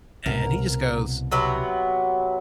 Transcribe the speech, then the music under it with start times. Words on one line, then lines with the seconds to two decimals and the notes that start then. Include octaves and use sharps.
and he just goes,
0.26 C2 B2 A#4
1.32 C3 F#3 B3